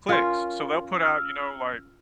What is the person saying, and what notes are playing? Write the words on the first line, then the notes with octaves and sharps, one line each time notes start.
clicks, so, they'll put out, you know, like,
C#4 F4 A#4 C6
E6 F6